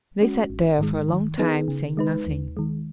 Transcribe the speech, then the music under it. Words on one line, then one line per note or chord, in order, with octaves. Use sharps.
They sat there for a long time, saying nothing.
G#3 C#4 F#4
G#1
G#2 D#3 G#3
D#3
B3 D#4 G#4 B4
C#3
G#3 D#4 B4
D#2
D#3 G#3